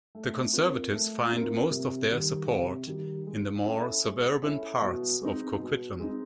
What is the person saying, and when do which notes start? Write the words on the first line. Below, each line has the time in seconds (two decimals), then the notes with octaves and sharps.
The Conservatives find most of their support in the more suburban parts of Coquitlam.
0.15 A3
0.53 C4 F4 A#4
0.93 A3
1.31 C4 F4 A#4
1.71 C3
2.10 D#3 G3
2.49 C3
2.87 D#3 G3
3.27 G#3
3.65 C#4 E4 A4
4.05 G#3
4.43 C#4 E4 A4
4.82 B2
5.21 G#3 C4 D#4
5.60 B2
5.99 G#3 C4 D#4